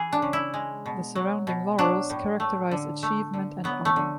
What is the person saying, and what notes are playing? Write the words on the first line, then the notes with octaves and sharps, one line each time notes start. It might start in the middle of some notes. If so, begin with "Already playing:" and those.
The surrounding laurels characterize achievement and honor.
Already playing: E3 G#4
D4
C#3
E4
G#3
B2
F#3
B2
F#3 D4
A2
A3
D3
A3
D3
F#3 B3
A3
D3